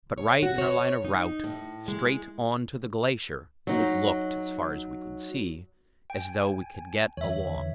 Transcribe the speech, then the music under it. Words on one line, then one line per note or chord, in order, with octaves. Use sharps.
But right in our line of route -- straight on to the glacier -- it looked, as far as we could see, as though we could get along.
C#5
F#4
C#5
D#4
A2
G#3
F#3 D#4
G5 G#5
E2 D3 E3 C#5 E5